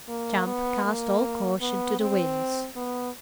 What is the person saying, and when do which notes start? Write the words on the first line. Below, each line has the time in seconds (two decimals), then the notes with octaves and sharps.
Champ cast all caution to the winds.
0.09 A#3
0.46 B3
0.84 A#3
1.61 B3
1.99 C4
2.76 B3